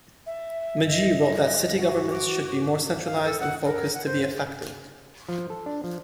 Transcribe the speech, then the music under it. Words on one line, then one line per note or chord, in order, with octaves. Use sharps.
Magee wrote that city governments should be more centralized and focused to be effective.
E5
D#5
F#4 F#5
D6
F5
A4
F#5
A#4
F#5
C5
F3
A4
D4
F3